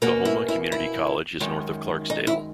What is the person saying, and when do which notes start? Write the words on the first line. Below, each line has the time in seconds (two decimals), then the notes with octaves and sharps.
Coahoma Community College is north of Clarksdale.
0.02 B2 A#3 C#4 F#4
0.25 E4
0.48 E4
0.72 E4
1.40 F#2 D#3 G#3
2.10 D#4
2.27 E4